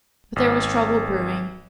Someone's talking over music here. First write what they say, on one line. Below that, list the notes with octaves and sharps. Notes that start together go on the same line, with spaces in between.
But there was trouble brewing.
G#1